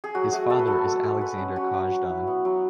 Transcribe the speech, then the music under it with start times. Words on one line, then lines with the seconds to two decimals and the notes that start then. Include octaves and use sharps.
His father is Alexander Kazhdan.
0.04 G#4
0.15 F#3 F#4
0.32 A3 G#4
0.50 A3 A4
0.59 B4
0.67 F#3 A4
0.86 G#3
1.03 G#3
1.21 G#3 B4
1.39 C#4
1.56 F#3 F#4
1.74 F#3
1.92 F#3
2.09 E4
2.27 B3
2.45 F#3